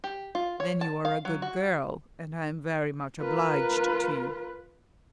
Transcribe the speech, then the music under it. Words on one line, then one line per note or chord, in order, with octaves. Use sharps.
"Then you are a good girl, and I am very much obliged to you."
G4
F4
C#5
A5
F5
F#3
F#4
F4 A#4 B4